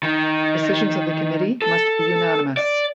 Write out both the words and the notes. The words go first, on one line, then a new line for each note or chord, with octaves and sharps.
Decisions of the committee must be unanimous.
D#3
A4
D5